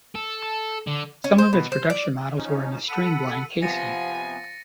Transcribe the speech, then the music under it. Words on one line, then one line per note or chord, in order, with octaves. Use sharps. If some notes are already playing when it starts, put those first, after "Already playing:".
Some of its production models were in a streamlined casing.
A4
D3
C#4
C5
B2
C5
D5
F3 C#4 D#4
A4 F#5 B5 D#7
C3 F3 B3 G#5 A6 A#6 C#7